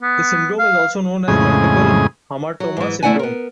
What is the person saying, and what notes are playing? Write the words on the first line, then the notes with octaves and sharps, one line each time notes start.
The syndrome is also known as Multiple hamartoma syndrome.
B3
F5
F2 A2 C#3 G#3 G#4 G#5
F#3
G#2 E3
E2 A3 E4 D5 F#5 G#5
B3 A#4